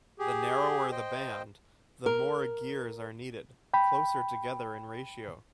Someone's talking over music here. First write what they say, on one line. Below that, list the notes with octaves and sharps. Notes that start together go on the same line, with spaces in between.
The narrower the band, the more gears are needed, closer together in ratio.
G4 G#4
C5 D#5 G5
A#4
G5 B5